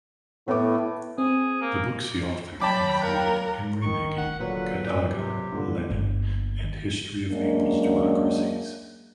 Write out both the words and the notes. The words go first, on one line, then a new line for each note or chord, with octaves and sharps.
The books he authored included "Imre Nagy", "Katanga", "Lenin" and "History of People's Democracies".
A2 B3 D6
C4 G#4
A#3
F#3 C#5 G5 A5 B5 D6
F#3 A#4 F5 F#6
A1 D#3 C#6
F1 F#5
A#2 D3 F#3 B4
G#2 G3
C3 G4
B1 G2 A#2 D3
G1 A#2
F#2 G#3 A#3 D4